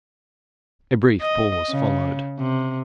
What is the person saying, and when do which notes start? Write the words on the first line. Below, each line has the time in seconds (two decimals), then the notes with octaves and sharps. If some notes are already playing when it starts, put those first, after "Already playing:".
A brief pause followed.
1.21 D#5
1.71 C#3
2.39 C3